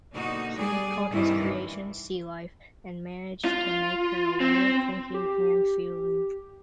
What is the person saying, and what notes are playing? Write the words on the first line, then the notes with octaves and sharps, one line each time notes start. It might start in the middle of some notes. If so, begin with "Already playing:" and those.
He called his creation C-Life and managed to make her aware, thinking, and feeling.
B2 D3 A#3 D#4 F#4
G3 G#4 D5
G2 C3 D#3 E3 E4
F4
C4
G4